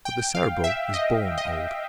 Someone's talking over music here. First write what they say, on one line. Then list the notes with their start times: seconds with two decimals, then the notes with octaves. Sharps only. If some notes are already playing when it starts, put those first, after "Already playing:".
But the Cerebral is born old.
0.05 G5
0.35 F5
0.64 E5
0.94 D#5
1.38 D#5